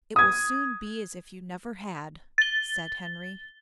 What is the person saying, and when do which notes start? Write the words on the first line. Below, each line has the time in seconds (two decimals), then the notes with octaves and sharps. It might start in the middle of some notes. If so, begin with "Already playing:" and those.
"It will soon be as if you never had," said Henry.
0.16 D#6 G#6
2.38 A6 G7